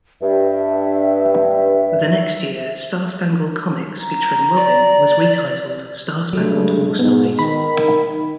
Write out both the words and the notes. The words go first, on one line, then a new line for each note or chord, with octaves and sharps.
The next year "Star Spangled Comics", featuring Robin, was retitled "Star Spangled War Stories".
G2 E5
A#5
D5
G2 F#3 G#3 A3
G#2 B3
D#3 B5